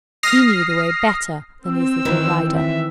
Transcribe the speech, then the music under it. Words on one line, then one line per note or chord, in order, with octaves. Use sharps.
He knew the way better than his little rider.
D#6 F6 A#6 C7
C4 E6
D#3 E3
E5